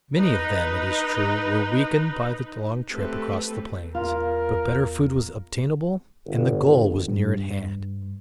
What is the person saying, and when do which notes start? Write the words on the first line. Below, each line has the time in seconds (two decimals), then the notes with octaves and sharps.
Many of them, it is true, were weakened by the long trip across the Plains; but better food was obtainable, and the goal was near at hand.
0.17 D#4 B4
2.91 A3 C4 G4 A4 B4
3.95 E2 F4 A#4
6.26 G1
7.08 G2